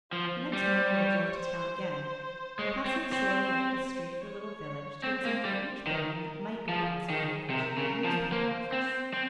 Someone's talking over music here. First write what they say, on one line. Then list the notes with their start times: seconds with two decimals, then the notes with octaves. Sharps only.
The next morning they drove to town again, passing slowly up the street of the little village to examine each building that might be a possible location for a newspaper office.
0.12 F3 C5
0.53 G3 C5
0.94 C#5
1.36 C5
1.76 C5
2.58 G#3 C#5
2.85 C4
3.13 C4
3.40 C5
4.22 C#5
5.04 C4 C5
5.25 A#3
5.45 G3
5.86 D#3 A#4
6.69 F3 G#4
7.10 D#3
7.50 C3 A#4
7.78 C#3
8.04 F3
8.32 A#3 C5
8.72 C4
9.13 C4